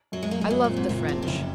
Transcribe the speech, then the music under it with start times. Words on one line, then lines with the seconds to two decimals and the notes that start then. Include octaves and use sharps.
I loved the French.
0.12 F#2 F#3
0.23 G#3
0.31 F#2 A#3
0.41 G#3
0.50 F#2 F#3
0.64 A#2
0.70 C4
0.77 G#2
0.89 F#1 A#2
1.08 C3 F3
1.22 D#3
1.27 F#1 C#3